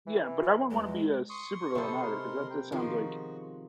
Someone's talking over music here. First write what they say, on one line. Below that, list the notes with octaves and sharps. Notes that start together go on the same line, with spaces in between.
Yeah, but I wouldn't wanna be a supervillain either 'cause that just sounds like
E3
E2 G#3
C6 C#6 D#6
C3 B3 A4 C5
G#3 A#4 C6
G5
D#3 F3 G#3 F#4